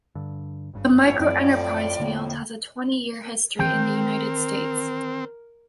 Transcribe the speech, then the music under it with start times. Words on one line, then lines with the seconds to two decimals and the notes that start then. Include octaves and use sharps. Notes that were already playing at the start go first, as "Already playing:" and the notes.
The microenterprise field has a twenty-year history in the United States.
0.15 G2 D3
0.74 G#1 G2 C#3
1.00 F2 A2 F3 C#5
1.19 F#2 C4 D5
1.98 E1 D3 A#3
3.59 D#3 E3 C4 A#4 G5